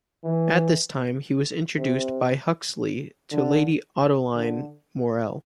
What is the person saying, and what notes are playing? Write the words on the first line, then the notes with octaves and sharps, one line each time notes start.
At this time he was introduced by Huxley to Lady Ottoline Morrell.
E3
C3
D3
D3